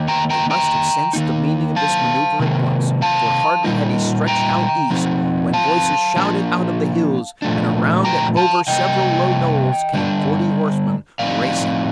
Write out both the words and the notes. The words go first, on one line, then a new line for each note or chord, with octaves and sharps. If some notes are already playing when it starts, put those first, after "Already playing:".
They must have sensed the meaning of this maneuver at once, for hardly had he stretched out east when voices shouted out of the hills, and around and over several low knolls came forty horsemen, racing.
Already playing: D#3 A#3
G5 A#5
G5 A#5
G5 A#5
D#3 A#3 D#4
F5 A5
C3 D#3 A#3
F5 A5
A#2 G3 A#3 D#4
G5 A#5
F3 C4 D#4
F5 A5
F3 A#3 D4
A#2 F3 A3 D4
G5 A#5
F5 A5
C3 G3 A#3 D#5 G5
D3 G3 D4
A2 F3 C4 D#4 D5 F5